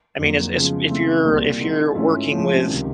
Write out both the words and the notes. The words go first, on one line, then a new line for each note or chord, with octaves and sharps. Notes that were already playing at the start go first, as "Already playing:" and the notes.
I mean, as as if you're if you're working with,
F2 D3 F#3 A#3
C#3 F3 G#3 B3
C#3 E3 A3 C4
C2 A#2 G3
E3 G#3 C4 D#4 F#4
G#2 E3 A3 C#4 F4
A2 F3 G#3 C#4 E4
C#2 C3 D#3